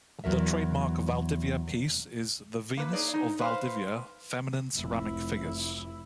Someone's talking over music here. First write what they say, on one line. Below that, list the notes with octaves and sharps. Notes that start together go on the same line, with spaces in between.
The trademark Valdivia piece is the "Venus" of Valdivia: feminine ceramic figures.
E2 F#3 A#4 E5
A#3 B4
D#4 G#4 C#5 D5
D#4
B4 C5 F5
F1 E4